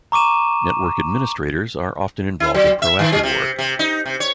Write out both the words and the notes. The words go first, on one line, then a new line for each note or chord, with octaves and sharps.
Network administrators are often involved in proactive work.
A#5 C#6 D6 D#7 E7
E4
F#3
E5
D#3
G3
C3
C3
D#4
C3
C#5